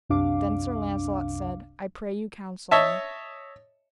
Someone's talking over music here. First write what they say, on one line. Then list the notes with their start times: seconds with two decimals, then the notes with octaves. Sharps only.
Then Sir Launcelot said: I pray you counsel me.
0.09 C2 F#2 C3 D4 F5 D6
2.71 C#5 D#5 E5 A5